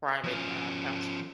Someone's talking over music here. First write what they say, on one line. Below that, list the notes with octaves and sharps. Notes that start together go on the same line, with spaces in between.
private, uh, counselor.
F3 C#4